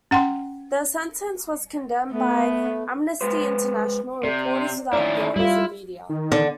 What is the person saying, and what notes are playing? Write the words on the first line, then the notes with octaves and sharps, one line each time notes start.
The sentence was condemned by Amnesty International, Reporters without Borders and media.
C#4 F#5 G5 C6
A3 B3
G#3 B4 C5
C3 D5
D#3 C#4 E4 D5
G3 E4 F4
D#3
D3